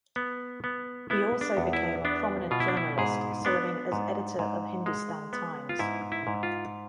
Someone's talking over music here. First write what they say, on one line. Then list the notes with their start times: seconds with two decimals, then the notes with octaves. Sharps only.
He also became a prominent journalist, serving as editor of "Hindustan Times".
0.16 B3
0.64 B3
1.10 B3 E4
1.41 D4
1.57 E2
1.73 E4
2.05 B3 D4
2.51 B2 F4
2.60 E4
2.68 D4
2.77 E4
2.98 G#2 G#4
3.45 B3 D4
3.92 G#2
4.39 G#2
4.86 G#3
5.33 B3
5.69 F4
5.79 G#2 E4
6.12 E4
6.27 G#2
6.43 F4